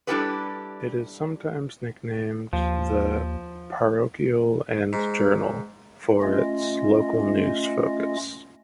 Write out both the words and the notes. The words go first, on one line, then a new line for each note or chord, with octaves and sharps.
It is sometimes nicknamed the "Parochial and Journal" for its local news focus.
G3 D4 E4 G4 A4 B4
D#2 F3
G#2
A3 C#4 F4 D#5